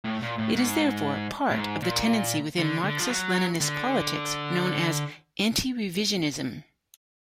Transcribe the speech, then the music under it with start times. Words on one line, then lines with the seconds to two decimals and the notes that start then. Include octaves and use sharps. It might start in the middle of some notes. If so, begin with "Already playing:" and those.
It is therefore part of the tendency within Marxist-Leninist politics known as anti-revisionism.
0.04 A2
0.22 A#2
0.38 A2
0.55 G#2
1.51 A2
1.58 G#2
1.82 A#2
2.59 D3
2.84 D3
2.99 F3
3.09 F#3
3.60 D3